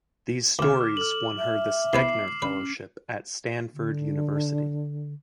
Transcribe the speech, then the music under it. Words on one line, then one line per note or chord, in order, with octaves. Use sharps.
These stories won her the Stegner Fellowship at Stanford University.
D2 C3 D6 F6
A4 F6 F#7
E5
C2 B3 B4 D6 C7
C#4 B4
D3